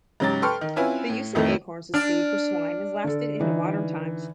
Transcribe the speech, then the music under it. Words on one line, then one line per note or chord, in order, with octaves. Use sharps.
The use of acorns as food for swine has lasted into modern times.
G#2 C#3 F#3 G4 A6
A4 B4 G5 C6 C#6 F6
D#3
C4 C#4 E4 F4 B4 G#5
A2
F2 A2 D#3 A3
D4 F6
D3 A4
D3 E3 D#4